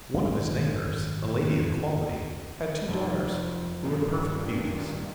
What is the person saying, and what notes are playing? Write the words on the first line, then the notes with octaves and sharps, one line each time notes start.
One of his neighbours, a lady of quality, had two daughters who were perfect beauties.
G#1 F#2
F1
G2 A#2 D#3